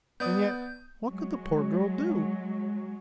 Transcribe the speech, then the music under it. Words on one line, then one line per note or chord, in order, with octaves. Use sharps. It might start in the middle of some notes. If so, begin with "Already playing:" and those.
And yet, what could the poor girl do?
B3 D5 D#6 G6
F#3 G#3